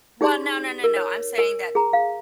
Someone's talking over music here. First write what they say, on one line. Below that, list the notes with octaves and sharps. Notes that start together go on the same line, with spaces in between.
well, no, no, no, no, I'm saying that
D#4 G4 G#4 D5 C6
A#4
C#5
A#4 G#5
G#4 A#5
F5